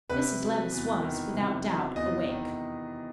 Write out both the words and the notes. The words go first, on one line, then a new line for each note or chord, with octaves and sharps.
Mrs. Levice was, without doubt, awake.
C3 B4
F#3
E2
D#3
C3
F#3
E2 D#5
D#3